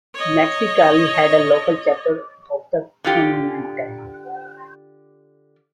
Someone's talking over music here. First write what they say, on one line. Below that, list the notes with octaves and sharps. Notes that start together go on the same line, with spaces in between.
Mexicali had a local chapter of the Kuomintang.
C#5 D#5
D3 F4 G4